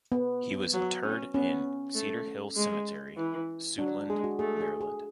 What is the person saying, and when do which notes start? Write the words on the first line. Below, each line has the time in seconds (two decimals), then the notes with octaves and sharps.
He was interred in Cedar Hill Cemetery, Suitland, Maryland.
0.12 B3
0.73 F#3
1.04 C#4
1.34 B3 C#4
1.95 A3
2.56 G#3
3.17 E3
3.78 F#3 D4
4.09 G#3 G#4
4.24 F#4
4.39 A3 G#4
4.61 G#4
4.81 G#4